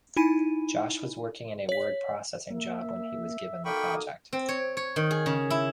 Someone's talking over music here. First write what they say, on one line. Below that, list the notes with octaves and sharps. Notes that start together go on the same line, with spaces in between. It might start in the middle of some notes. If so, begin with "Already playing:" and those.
Josh was working in a word processing job when he was given the project.
D#4 E4 G#5 B5 D#7
C#5 B6
A#3 E5
A#3 D#4 F#4 A4 G5 B5 C#6 D#6
C4
C#5
C#5
D#3
G#4
C#3
E4